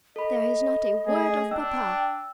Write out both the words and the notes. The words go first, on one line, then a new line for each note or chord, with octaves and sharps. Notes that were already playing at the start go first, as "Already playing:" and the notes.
"There is not a word of papa!"
A4 D#5 B5
A3 G#4
D4 G5 E6